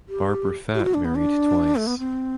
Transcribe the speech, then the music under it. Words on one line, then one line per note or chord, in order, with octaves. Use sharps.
Barbara Fatt married twice.
G4
G4
E4
F#4
D4
B3
D4
A3
B3
C4